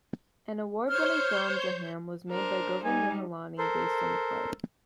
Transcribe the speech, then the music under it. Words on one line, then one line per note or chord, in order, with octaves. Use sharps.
An award-winning film "Deham" was made by Govind Nihalani based on the play.
C5 C#5 F6 G6
D4 A#4 C5
G3 D#4 G#5
A4 A#4 C5